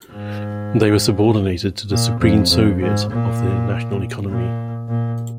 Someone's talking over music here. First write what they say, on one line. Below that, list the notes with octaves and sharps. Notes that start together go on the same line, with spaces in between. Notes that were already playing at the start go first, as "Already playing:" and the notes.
They were subordinated to the Supreme Soviet of the National Economy.
G#2
A#2
F2
F2
G#2
A#2
A#2
A#2